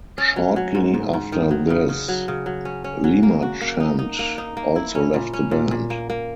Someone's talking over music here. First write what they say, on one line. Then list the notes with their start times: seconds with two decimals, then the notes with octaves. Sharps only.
Shortly after this, Lemarchand also left the band.
0.18 C#4
0.36 F#3
0.56 F#3
0.75 G#2
0.94 G#2
1.13 G#2
1.32 D#3
1.51 F#3
1.70 C#3
1.89 C#3
2.08 F#3
2.28 C#3
2.46 F#3
2.65 C#4
2.84 C#4
3.04 F#3
3.23 A#3
3.42 F#4
3.61 A#3
3.80 D#4
3.99 D#4
4.19 A#3
4.38 D#4
4.57 A#3
4.76 E4
4.95 C#4
5.14 A#2
5.33 C#4
5.51 A#2
5.71 A#2
5.90 A#3
6.10 A#3